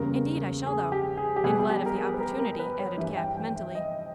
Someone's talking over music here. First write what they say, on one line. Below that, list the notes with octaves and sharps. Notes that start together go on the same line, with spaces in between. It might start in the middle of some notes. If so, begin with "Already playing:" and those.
"Indeed I shall, though--and glad of the opportunity," added Cap, mentally.
Already playing: E2 C#3 G3 A#3 A#4
G#4
G4
G#4
G4
B2 G3 B3 G#4
G4
A#4
G#4
B4
A#4
A#4
B4
C#5
G2 E3 G3 E5
G5
G5
E5
D#5